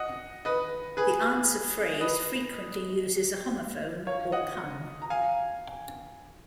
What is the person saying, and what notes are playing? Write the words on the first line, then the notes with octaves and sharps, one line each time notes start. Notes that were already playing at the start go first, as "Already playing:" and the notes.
The answer phrase frequently uses a homophone or pun.
Already playing: D#5 F#5
B4 D#5
G#4 B4
B4 D#5
C#5 F5
D#5 F#5
A#5
F5 G#5